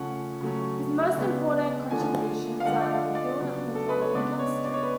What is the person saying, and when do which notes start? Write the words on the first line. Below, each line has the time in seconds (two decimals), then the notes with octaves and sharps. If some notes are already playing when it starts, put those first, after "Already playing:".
His most important contributions are in the field of petroleum chemistry.
Already playing: C#3 F3 A3 C#4 F#5
0.41 C#3 F#3 A3 C#4
1.16 C#3 G#3 B3 D4
1.90 D3 F3 A3 D4 G#5
2.60 F5
2.65 D3 F3 G#3 D4 F#5
2.81 D5
2.91 F5
3.15 D5
3.39 C#3 F#3 B3 D4
3.75 A4
3.89 B4
4.01 C#5
4.14 C#3 G#3 B3 D4 D5
4.39 C#5
4.65 D5
4.74 C#5
4.83 B4